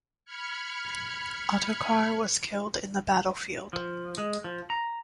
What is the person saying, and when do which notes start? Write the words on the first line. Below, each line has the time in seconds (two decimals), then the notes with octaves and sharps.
Ottokar was killed in the battlefield.
0.25 B5 F6 G#6 C#7
3.73 F3
4.18 G#3
4.44 F3
4.70 A#5